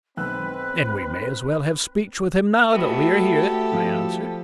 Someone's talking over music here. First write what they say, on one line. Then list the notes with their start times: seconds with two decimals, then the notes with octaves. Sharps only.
"Then we may as well have speech with him now that we are here," I answered.
0.17 B1 C4 B4 E6 F#6
2.73 A3 E4 F#4 G4 A4 B4
3.73 F3